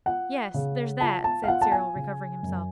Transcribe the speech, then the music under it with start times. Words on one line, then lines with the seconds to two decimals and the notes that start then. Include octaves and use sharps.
'Yes, there's that,' said Cyril, recovering himself.
0.06 F4 F#5
0.54 C#3
1.01 F4 A5
1.24 A5
1.44 F5
1.48 F4 F#5
1.61 A5
1.72 G#5
1.95 C#3
2.43 F#2